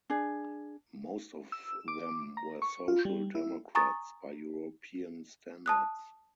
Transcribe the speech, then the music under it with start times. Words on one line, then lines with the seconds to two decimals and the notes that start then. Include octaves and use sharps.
Most of them were social democrats by European standards.
0.10 D4 G#4
1.52 E6
1.88 D6
2.37 A#5
2.62 C#6
2.88 F4
3.05 G3
3.35 E4
3.75 G#5 A#5 C#6 D#6 A6
5.66 A5 D#6 F#6